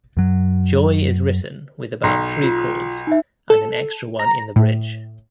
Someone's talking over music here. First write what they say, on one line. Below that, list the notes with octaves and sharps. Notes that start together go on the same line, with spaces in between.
"Joy" is written with about three chords, and an extra one in the bridge.
F#2 F#3
B1 A#5
F4
D#4 E5
A4
A#5
A2